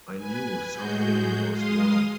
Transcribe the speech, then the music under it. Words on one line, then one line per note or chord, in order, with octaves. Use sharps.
I knew something was wrong.
B4 G#5
A2 G#3 F#4 G#4 G6
G#3 F5 C6 D#6